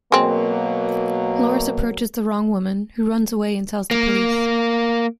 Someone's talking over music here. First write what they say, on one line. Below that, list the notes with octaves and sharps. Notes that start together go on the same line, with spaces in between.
Loris approaches the wrong woman, who runs away and tells the police.
B2 F#3 G#3 A#3 C4
A#3